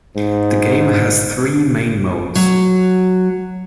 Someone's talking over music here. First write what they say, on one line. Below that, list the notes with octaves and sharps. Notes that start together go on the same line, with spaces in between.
The game has three main modes.
G#2
F#3